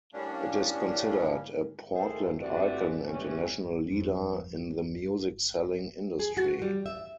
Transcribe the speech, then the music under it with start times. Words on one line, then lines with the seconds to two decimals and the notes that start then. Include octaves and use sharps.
It is considered a Portland icon and a "national leader in the music-selling industry".
0.13 A2 G3 A#3 C#4 D4
1.95 D#3 A3 A#3 G#4 A4 C5
2.40 E3 A3 C4 F#4 G4 D5
3.08 E3 G3 B3 C#4
3.90 F2
6.19 G#4
6.37 F#4
6.62 G3
6.86 E5